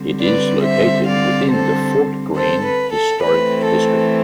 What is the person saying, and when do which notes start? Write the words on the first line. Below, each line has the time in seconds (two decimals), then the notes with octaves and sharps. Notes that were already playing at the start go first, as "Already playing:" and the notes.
It is located within the Fort Greene Historic District.
Already playing: D3 G3 C4
0.22 B4 D5
0.65 C5 E5
1.08 D5 F5
1.51 A4 C5
2.37 A4 C5
2.67 B4
2.95 A4
3.24 E3 A3 C4 B4
3.67 A4